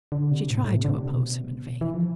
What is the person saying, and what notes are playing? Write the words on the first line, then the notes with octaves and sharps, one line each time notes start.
She tried to oppose him in vain.
D3
C3
A2
A2
C3
D3
C3
B2
E3
F3